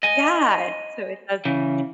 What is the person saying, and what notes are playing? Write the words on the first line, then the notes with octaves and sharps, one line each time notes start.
Yeah, so it has e
D#5 G#5
C#3 E3